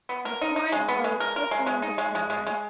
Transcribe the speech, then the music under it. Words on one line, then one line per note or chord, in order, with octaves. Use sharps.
The torrent flowed swiftly into the cavern.
B3
A#4
D#4
D#4
G#3
B3
G#3
A#4
A#4
G#3
G#3
D#4
G#3
G#3
G#3
G#3